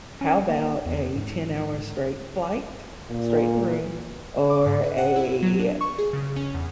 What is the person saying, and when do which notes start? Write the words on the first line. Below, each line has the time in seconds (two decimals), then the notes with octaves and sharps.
how 'bout a ten-hour-straight flight, straight through, or a
0.21 C#4
0.49 A#3
0.86 E2
1.16 G#2
3.09 A#2
4.50 D6
4.66 G#2
4.83 B4
4.98 F#5
5.16 E4
5.42 F#3
5.59 D4
5.81 C#6
5.98 G#4
6.13 C#3
6.36 C#4
6.54 E2